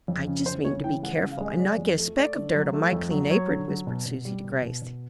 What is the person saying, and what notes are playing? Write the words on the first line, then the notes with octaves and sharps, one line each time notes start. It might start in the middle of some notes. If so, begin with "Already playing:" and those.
"I just mean to be careful, and not get a speck of dirt on my clean apron," whispered Susy to Grace.
F2
C#3
C#3 C5
C#3 C#5
E3 G5
G#3 F#5
F#5
C#3
F5
G#3 D#5
F#3 D5
F2
A3
A3 D5
D3
F#3
A3
F2
F#3
F#3 C#5
D3
F#3
B2
B2
G3
B2
B2
B2